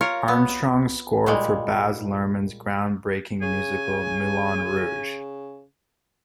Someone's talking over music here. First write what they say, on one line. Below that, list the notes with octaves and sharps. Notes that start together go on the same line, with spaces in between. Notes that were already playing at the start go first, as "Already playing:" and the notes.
Armstrong's score for Baz Luhrmann's groundbreaking musical Moulin Rouge!
F4 A#4 C#5
B3
A#2 G3 G#3
C#3 G#5